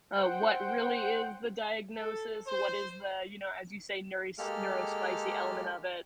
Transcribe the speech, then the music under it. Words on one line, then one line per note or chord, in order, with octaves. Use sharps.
uh, what really is the diagnosis, what is the you know, as you say, neuros neurospicy element of it.
C5 F#5 G5
A4
C5
G#3 A#3 G4 A4 F6